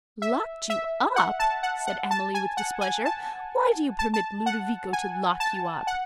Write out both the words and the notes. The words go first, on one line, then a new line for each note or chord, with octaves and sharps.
'Locked you up!' said Emily, with displeasure, 'Why do you permit Ludovico to lock you up?'
E5
E5
F#5
A5
F#5
F#5
A5
G#5
F#5
G#5
A5
A5
A5
F#5
G#5
A5
F#5